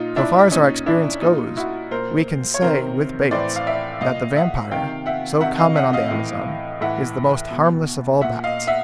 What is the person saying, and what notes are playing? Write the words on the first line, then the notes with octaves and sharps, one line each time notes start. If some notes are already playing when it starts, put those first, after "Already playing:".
So far as our experience goes, we can say, with Bates, that the vampire, so common on the Amazon, is the most harmless of all bats.
Already playing: A#2 D#4 F4
D4 E4
A#2 C#4 D#4
D4 E4
A#2 D#4 F4
E4 F#4
A#2 A#4 C5
C#5
C3 D#3 A#4 C5
A2 E3 C5 D5
F5
D5 E5
A#2 D#5 F5
E5 F#5
C3 D#3 F5 G5
E5 F#5
C3 D#3 E5 F#5
D#5 F5
E5 F#5
D#5 F5
A2 E3
A2 E3 E5 F#5
B2
A#2 E5 F#5
D#5 F5
E5 F#5